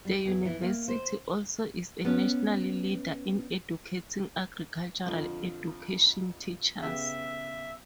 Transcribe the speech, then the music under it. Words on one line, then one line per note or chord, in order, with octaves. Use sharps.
The university also is a national leader in educating agricultural education teachers.
G3
E2
E3
A#3
C5
B3 C#4
F2 D3 F3
C#3 B3 G4 E5